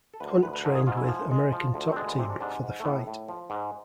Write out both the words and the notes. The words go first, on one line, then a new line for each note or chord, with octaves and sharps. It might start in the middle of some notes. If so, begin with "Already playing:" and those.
Hunt trained with American Top Team for the fight.
A4
D2 B4
C5
D2 B4
B4
G#2 A4
G#4
G#2 F4
E4
F3
G#3
F3
D2
C4
G#3 D4
B3
C3 C4
D4
G#2 D4
G#2
A3
A2 B3
A2
F3
G#2